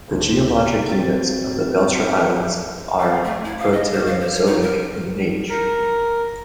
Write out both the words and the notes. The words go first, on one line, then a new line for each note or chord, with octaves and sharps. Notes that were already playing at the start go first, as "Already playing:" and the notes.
The geologic units of the Belcher Islands are Proterozoic in age.
D2
C4 F#4 A6
F5
A3
E4
F5
D#5
C5
F5
C5
C#5
D#4
A#4
A#4